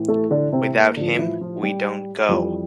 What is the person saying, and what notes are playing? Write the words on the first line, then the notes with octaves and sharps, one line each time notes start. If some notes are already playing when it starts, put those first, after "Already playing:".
Without him we don't go.
Already playing: A2 E3
A3 A4
D3 D4
C3 C4
A#3
A2 D3 F3 D4
E3 E4
F3 F4
G3 G4
F2 E3 G3 G4